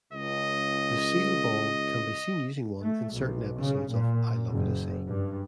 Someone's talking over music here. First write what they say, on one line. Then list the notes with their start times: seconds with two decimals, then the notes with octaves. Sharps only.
Lucille Ball can be seen using one in certain episodes of "I Love Lucy".
0.13 C#2 D#5
2.81 A3
3.14 B1
3.58 C#3
3.93 A#2
4.50 F#1
5.08 G2